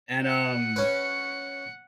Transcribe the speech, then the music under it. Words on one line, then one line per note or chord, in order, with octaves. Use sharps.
And, um,
F#5 C#7
C#4 B4